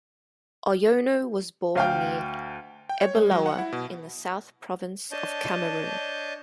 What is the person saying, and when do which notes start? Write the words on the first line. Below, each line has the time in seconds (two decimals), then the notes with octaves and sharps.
Oyono was born near Ebolowa in the South Province of Cameroon.
1.75 D2 F5 G5
2.89 G5
3.02 C#5
3.15 G#3
3.31 F#3
3.46 F#5
3.58 E4
3.72 B2
5.12 D4 C#5 D#5 A5 G6